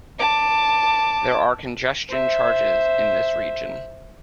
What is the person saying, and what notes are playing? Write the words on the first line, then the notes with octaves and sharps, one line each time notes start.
There are congestion charges in this region.
A5 D6
C5 E5